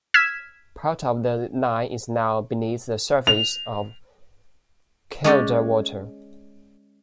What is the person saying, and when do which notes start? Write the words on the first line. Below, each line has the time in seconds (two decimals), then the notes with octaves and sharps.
Part of the line is now beneath the surface of Kielder Water.
0.14 E6 F6 G#6 B6 E7
3.27 F7
5.24 G#3 C#4 D5 G5